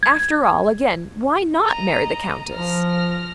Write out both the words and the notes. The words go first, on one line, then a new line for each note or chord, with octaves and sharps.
After all, again, why not marry the Countess?
G#6
D#5 A#5
F3 F6 A#6